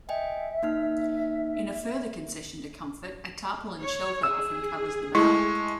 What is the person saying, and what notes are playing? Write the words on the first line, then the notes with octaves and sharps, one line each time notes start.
In a further concession to comfort, a tarpaulin shelter often covers the bow.
D#5 E5 G5 G#5
A#3 D#4 F6
C#5
G#4 E6
G#3 A3 E4 C#6